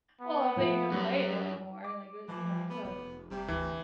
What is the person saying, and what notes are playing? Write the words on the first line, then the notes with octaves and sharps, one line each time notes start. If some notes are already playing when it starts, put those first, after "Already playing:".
well, if they even play it anymore, like, th you know, ugh.
B3
F3 A3 F4
F#2 G3
D6
E3 F3
B3
F1 B3
F#1 C3 G3
D2 E3